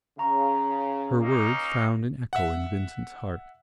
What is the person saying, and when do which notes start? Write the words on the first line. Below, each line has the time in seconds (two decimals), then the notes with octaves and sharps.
Her words found an echo in Vincent's heart.
0.18 C#3 F5 A#5 C#6
1.22 A#3 C#4 D#4
2.33 E5 F#5